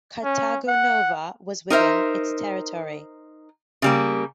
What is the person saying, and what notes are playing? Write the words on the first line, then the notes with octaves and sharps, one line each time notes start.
Cartago Nova was within its territory.
C#4
F#5
D#4 A#4 C5 E5
C#3 G3 A#3